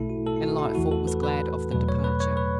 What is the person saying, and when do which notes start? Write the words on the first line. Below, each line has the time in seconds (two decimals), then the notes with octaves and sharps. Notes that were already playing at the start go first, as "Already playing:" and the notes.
And Lightfoot was glad of the departure.
Already playing: B1 B2 A3 E4 A4
0.10 F#4
0.27 A4
0.36 E4
0.42 F#4
0.59 E4
0.74 E2 E3 A3 F#4
0.92 A4
1.07 B4
1.23 B4
1.72 E2 B2 F#3 A3 B4
1.89 C#5
2.04 B4
2.20 C#5
2.37 B4